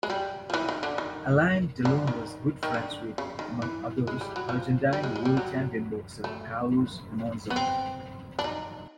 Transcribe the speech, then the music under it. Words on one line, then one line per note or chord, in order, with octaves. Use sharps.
Alain Delon was good friends with, among others, Argentine world champion boxer Carlos Monzon.
G#3
G3
F3
E3
D#3
D3
D#3
D3
D#3
D#3
D3
C#3
D#3
E3
G#3
G3
F#3
F3
G3
G#3
G#3
G3
F#3
A3
B3
C4
D4
D#4